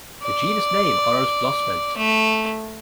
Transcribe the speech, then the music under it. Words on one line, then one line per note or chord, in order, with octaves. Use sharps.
The genus name honours Blossfeld.
D5
A3